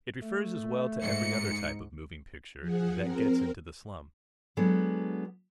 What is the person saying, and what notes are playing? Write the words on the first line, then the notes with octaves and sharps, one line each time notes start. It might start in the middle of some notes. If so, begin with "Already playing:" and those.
It refers as well to every other type of moving picture that gets into the slum.
A3
G#2 C#7
F3 G#4 F#5
C4 A#4
F#3 G#3 B3 D4 A4